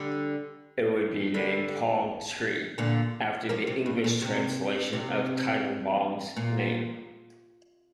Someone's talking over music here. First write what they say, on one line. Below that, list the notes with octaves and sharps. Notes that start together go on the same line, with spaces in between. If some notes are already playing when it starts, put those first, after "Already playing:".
It would be named Palm Tree, after the English translation of Teitelbaum's name.
Already playing: D3 G3
D3 G3
A#2 D3
F3 A#3
C3
G2
A#2
C3
C3
A#2